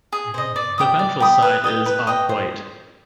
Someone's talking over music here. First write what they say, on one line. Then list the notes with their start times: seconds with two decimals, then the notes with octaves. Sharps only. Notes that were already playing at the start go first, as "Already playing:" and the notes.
The ventral side is off-white.
0.12 G#4
0.34 C5 D#5
0.56 D5
0.78 G5 B5 D#6
0.99 D5
1.20 G5 B5 D#6
1.42 B4
1.64 D#5 G5
1.86 B4
2.07 D#5 G5
2.29 C5